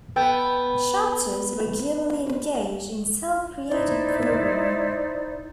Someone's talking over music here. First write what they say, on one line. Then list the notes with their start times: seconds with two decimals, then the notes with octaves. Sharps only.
Chapters regularly engage in self-created programing.
0.16 B3 A4 G5
3.69 D#4 E4 C5 D5